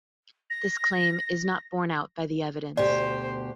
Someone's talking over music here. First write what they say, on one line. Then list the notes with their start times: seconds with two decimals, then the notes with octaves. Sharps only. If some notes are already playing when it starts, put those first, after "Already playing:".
This claim is not borne out by the evidence.
0.50 A#6
2.77 D2 B2 G4 C5 D5